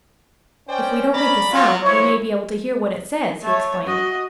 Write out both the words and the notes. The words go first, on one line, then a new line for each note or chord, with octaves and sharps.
"If we don't make a sound we may be able to hear what it says!" he explained.
C#4 C5 D5 G5
D5 A#5 B5
F#3 F4
F3 G#3 E4 C#5
A3 C#5
F#4 D#5